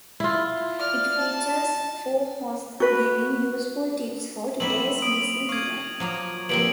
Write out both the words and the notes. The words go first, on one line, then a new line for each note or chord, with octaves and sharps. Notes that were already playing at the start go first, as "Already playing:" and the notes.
It features four hosts giving useful tip's for today's busy women.
E4 F4
D5 F6
A5
F#4 B4
F#3 G3 C4 E4 E5 F#7
D#6 D7
F5 C#6 D6 G#6
F3 F#3 A#3
G2 A#2 F3 F#3 C4 D7 F#7